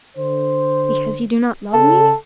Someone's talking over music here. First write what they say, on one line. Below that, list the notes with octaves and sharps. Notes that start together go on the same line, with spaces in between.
"Because you do not love me?"
D3 C5
C#3 A4